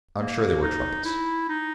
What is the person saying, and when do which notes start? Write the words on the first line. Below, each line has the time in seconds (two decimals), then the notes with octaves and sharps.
I'm sure they were trumpets.
0.18 A#3
0.62 D#4
1.05 E4
1.49 D#4